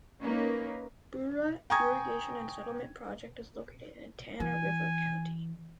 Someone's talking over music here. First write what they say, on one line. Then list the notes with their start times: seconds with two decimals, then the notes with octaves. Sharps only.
Bura Irrigation and Settlement Project is located in Tana River County.
0.21 A#3 C#4 D#4 A#4 B4
1.70 G5 G#5 A#5 C#6 D#6 G#6
4.40 E3 G#5